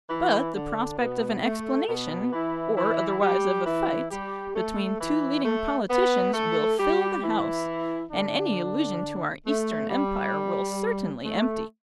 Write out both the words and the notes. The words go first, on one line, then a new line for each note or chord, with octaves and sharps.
But the prospect of an explanation,--or otherwise of a fight,--between two leading politicians will fill the House; and any allusion to our Eastern Empire will certainly empty it.
E3 E4
D3 D4
B2 B3
A3
B2 B3
E3 E4
E3 E4
G3 G4
E3 E4
G3 G4
A3 A4
E3 E4
A3 A4
B3 B4
A3 A4
G3 G4
E3 E4
D3 D4
A3
G3
A3